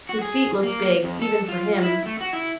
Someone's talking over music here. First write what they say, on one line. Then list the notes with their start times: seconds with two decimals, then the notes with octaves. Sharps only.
His feet looked big, even for him.
0.09 F#4
0.22 G#4
0.63 A#3
1.03 F2
1.22 A4
1.48 F4
1.83 E4
2.06 A3
2.21 F#4
2.33 E4